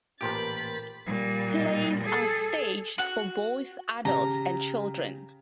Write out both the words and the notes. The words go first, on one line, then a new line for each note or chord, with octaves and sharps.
Plays are staged both for adults and children.
A1 A#2 G4 A#4 C5 G5 B5 A6
A#2 G3
G#4 A4
F#4
C#3 G4 A#5